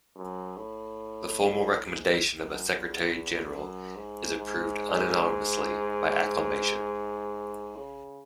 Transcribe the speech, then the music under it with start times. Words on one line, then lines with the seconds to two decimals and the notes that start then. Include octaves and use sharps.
The formal recommendation of a Secretary-General is approved unanimously by acclamation.
0.16 F#2
0.58 A2
1.84 G#2
2.40 F#2
2.69 E2
3.54 F#2
3.96 G#2
4.38 G#2
7.77 C#3